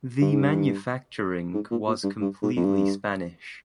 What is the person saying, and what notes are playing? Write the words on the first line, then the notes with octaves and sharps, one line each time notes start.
The manufacturing was completely Spanish.
G2
G#2
G2
G#2
A#2
A#2
G2
G2
G#2
F2
G2